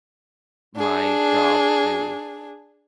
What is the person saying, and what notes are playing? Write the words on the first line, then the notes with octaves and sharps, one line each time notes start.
my job to
D4 G#4